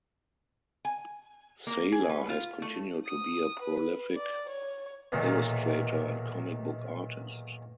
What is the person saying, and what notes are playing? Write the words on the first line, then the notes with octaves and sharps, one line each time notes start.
Sala has continued to be a prolific illustrator and comic book artist.
G#5
A#3
G#4
B4
F4
A3
D#6
B4
D5
C#5
B1 E2 A#2 D#3